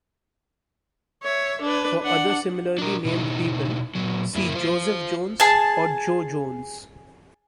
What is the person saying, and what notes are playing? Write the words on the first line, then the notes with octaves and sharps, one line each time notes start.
"For other similarly named people, see Joseph Jones or Joe Jones".
C#5 E5
D4 B4
D4 F#5
D4 A#4
B2 D#4 E4
A#2 F#3
F#2 A#3 E4
F4 C5
G#4 A5